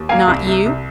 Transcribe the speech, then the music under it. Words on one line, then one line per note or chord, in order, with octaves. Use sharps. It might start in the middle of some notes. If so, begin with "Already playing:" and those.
"Not you?"
Already playing: D#2
A#3 F5 G#5
C2
C3
C2